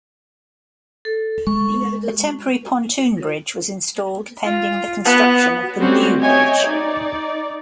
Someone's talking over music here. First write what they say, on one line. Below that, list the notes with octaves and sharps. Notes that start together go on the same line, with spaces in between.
A temporary pontoon bridge was installed pending the construction of the new bridge.
A4
G#3 C#6
F4
B3 F#6
G3 A3 C4 C#4 F#4 G4
C#5 D#5 E5 G5 G#5
D#4 D5